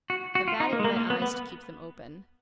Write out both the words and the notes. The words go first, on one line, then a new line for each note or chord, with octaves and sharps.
I batted my eyes to keep them open.
F#4
F#4
F4
D#4
A#3
G#3
A#3
A#3
B3
B3